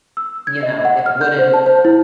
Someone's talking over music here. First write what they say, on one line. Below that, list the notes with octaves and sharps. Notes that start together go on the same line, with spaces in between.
You know, it wouldn't
E6
G#6
D#5
F#5
F6
G6
C5
A5
C5
E4